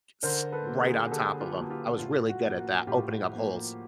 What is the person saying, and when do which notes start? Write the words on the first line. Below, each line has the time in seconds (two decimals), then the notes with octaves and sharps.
s right on top of him, I was really good at that, opening up holes.
0.23 D3 A#4 C5
0.52 A4 B4
0.67 F#3 A#3
0.81 G#4 A#4
1.11 D3 G4 A4
1.40 F4 G4
1.55 F#3 A#3
1.70 F4 G4
1.99 A2 F4
2.29 F#4
2.43 F3 A#3
2.58 F#4
2.87 A2 F4 G4
3.31 F3 A#3